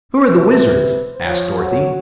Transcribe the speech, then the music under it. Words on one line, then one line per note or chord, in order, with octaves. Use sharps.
"Who are the wizards?" asked Dorothy.
A#4
C3 B4
C5
F3 C#5
F#3